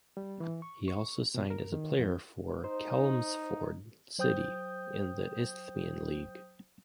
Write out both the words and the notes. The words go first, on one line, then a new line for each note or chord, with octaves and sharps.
He has also signed as a player for Chelmsford City in the Isthmian League.
G3
E3
C#6
C#6
B2
A#4
D#3
F2
D#4 C5
F#3 C5 G5 D#6 G6